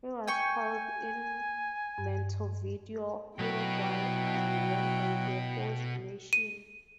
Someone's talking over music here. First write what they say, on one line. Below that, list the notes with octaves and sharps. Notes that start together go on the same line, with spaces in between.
It was held in Montevideo, Uruguay and won by the host nation.
G5 G#5 C#6
G2
B2 F#3 E4 B4 G5
D#7